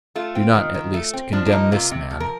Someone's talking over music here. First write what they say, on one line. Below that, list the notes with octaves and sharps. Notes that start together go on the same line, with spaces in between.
Do not, at least, condemn this man!
A3 F4
C4
D#3
D#3
A3
C4
F3 D4
D4
A#3 D#4
C3 F4
C3
F3
A#4